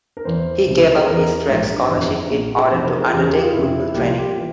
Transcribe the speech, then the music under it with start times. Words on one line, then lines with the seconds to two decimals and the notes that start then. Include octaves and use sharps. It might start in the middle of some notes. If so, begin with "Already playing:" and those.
He gave up his track scholarship in order to undertake football training.
0.17 A#4
0.25 E2 E3 C5
0.66 C#2 C3 F3
0.96 G#4
1.07 E2 E3 A#4
1.47 A#1 G#2 F3
1.89 G1 F2 E3
2.30 A#1 A#2 F3
2.71 F1 F2 E3 C5
2.85 A#4
2.99 G#4
3.07 F4
3.12 E2 C#3 F3 G4
3.23 G#4
3.33 G4
3.42 F4
3.53 F1 F2 C#3 E4
3.94 C2 A#2 F3 G4
4.06 F4
4.18 G4
4.37 E3